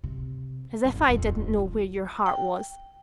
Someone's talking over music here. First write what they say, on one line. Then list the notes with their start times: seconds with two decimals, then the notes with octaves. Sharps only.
As if I didn't know where your heart was.
0.04 C3
0.85 G#1 F2
1.08 D#1 F2
1.59 F4
2.26 G5